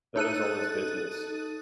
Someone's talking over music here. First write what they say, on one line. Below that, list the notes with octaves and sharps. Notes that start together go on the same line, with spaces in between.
That is all his business.
D#4 A4 F#6 D#7